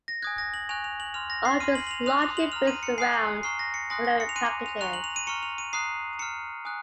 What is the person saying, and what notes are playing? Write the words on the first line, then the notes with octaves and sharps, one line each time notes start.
Arch is largely based around binary packages.
A#6
G#5 D#6 F#6 G#6
A#6
F#7
G#5 C#6 F#6 F7
F7
F#7
C6 F6 F7
A#6
C7
C6 F6 D#7
F#7
F#7
F7
C6 D#6 F#6 F7
F7
F#7
A#5 F6 F7
D#7
C#7
G#5 D#6 F#6 C7
A#5 C#6 F6 C7
A#6
C#7
G#5 C6 D#6 F#6 A#6
A#6
C#7
F7
G#5 C6 F#6 D#7
F7
A#5 C#6 F#6 F7
F#7
F7
D#7
A#5 C#6 F6 C#7
F7
D#7
A#5 D#6 F#6 C7
A#5 F6 C#7
G#5 D#6 F#6